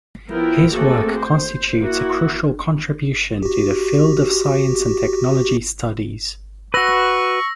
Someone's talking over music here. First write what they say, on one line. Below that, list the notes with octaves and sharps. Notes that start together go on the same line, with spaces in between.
His work constitutes a crucial contribution to the field of science and technology studies.
F3 B3 E4 A#4 G5
A3 A#3 C4 F#4 G#4 A4
C5
A#3 E4 F#4
F#4 G4
F#4 B4 C#6 E6 A#6